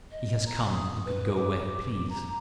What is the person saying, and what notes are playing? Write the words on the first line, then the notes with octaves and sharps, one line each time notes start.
He has come and can go when he please.
D#5
A#5
D#6
B4
D6
A#5